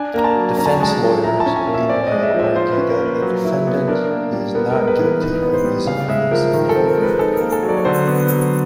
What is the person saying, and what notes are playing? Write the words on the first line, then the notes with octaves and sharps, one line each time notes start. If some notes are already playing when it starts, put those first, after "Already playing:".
Defense lawyers, meanwhile, argue that the defendant is not guilty by reason of insanity.
Already playing: D4 G#5
A#3 A#5
A5
F#3
C#4 A#5
A5
G#5
G#3 A5
F3
E4 A#5
A5
C#4
G#5
A#3
E5
C4 D5
G#3 D#5
E5
F3
E5
F4 C5
B4
C#4
A#4
A#3
B4
F#3
E4
B3
D4 A#4
A#3
G3
B3 A#4
A#4
G#3
B4
E3
A#4
D#4 B4
B3
C5
G3
C#3 F5
G#3 E5
F3 A#4
D#3 A#4
A4
C4
A#4
G#3
B4
D#4 A4
A#4
A#3
A4
F#3
D5
C#5
D3 C5
B3
F#3